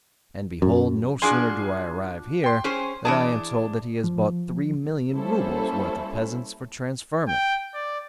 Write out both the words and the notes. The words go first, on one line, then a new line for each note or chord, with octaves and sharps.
And, behold, no sooner do I arrive here than I am told that he has bought three million roubles' worth of peasants for transferment!
F#2
F3 D4 F#4 G#4 G#5 C6
G5 C6
C#4 G#4 C5
E3 D4 G#4 A5
F3
G3 A#3 C#4 E4 A4 C5
G5
D5